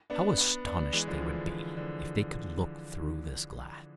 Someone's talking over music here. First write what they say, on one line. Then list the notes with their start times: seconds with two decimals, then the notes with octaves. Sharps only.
How astonished they would be if they could look through this glass!
0.10 B3 D4
0.38 B3 D4
0.66 B3 D4
0.93 E3 G#3
1.07 D3 F3
1.22 E3
1.36 D3
1.49 D3
1.77 D3 F3